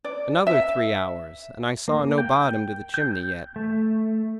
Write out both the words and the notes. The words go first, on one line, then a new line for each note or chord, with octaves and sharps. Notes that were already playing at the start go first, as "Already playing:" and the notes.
Another three hours, and I saw no bottom to the chimney yet.
D5
E5
A#3
G5
G6
A3